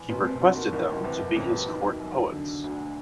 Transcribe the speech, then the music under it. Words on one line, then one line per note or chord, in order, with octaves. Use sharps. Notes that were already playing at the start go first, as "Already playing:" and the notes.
He requested them to be his court poets.
Already playing: E2
F#1 B2
C3
B2 D3
D#3
C2 D#3
D#3
C3 E3
F2 C#3
B2
D#3
F#2
D3
D2